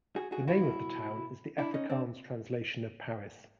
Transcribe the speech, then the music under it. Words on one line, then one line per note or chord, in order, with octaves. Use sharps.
The name of the town is the Afrikaans translation of Paris.
F#4 G#4
F#4 G#4
E4 F#4
B2
D4 E4
C#4 D#4
C4 D4